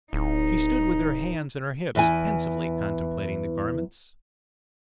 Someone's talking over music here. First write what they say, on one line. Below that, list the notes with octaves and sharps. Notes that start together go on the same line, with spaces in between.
She stood with her hands on her hips, pensively contemplating the garments.
D1 D#4
E2 E3 G#5